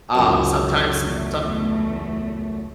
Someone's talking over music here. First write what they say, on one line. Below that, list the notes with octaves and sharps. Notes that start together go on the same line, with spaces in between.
um, sometimes some
C#2 F#2
E2 A3